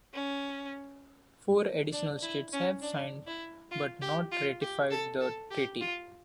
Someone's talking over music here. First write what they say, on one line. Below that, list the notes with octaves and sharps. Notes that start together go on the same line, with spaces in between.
Four additional states have signed but not ratified the treaty.
C#4
D4
E4
C#4
D4
E4
F4
G4
F4
G4
A4
A4
G4
F4